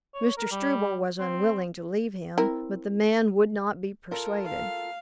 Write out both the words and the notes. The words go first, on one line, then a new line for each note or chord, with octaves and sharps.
Mr. Struble was unwilling to leave him, but the man would not be persuaded.
C#5
A#4
G3
C4
C4 E4 A#4
F4 A4 A#4
F5